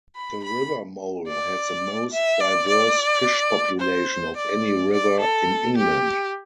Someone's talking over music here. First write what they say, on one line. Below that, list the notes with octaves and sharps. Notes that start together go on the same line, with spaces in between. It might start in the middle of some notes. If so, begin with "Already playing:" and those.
The River Mole has the most diverse fish population of any river in England.
B5
B5
D5
E5
D5
D5
C5
D5
D5
A4
G4